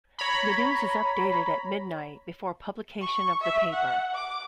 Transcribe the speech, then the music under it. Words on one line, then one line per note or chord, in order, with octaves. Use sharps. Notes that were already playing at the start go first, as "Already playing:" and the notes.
The news is updated at midnight, before publication of the paper.
C#5 A#5 B5
C#6
E5
F#5
D6